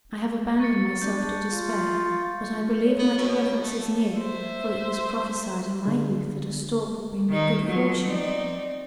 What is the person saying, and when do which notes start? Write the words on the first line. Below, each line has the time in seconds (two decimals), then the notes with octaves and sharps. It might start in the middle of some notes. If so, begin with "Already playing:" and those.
"I have abandoned myself to despair, but I believe my deliverance is near, for it was prophesied in my youth that a stork would bring me good fortune."
0.60 C#6 A6 C#7
1.02 D4 G6
1.52 F4
2.86 C#5
2.99 B3
3.18 B2
3.63 A3
4.18 C5 E5
5.85 D3 G#3
7.30 D#3 D#4
7.65 F3 F#3
8.05 C4 D#4 D5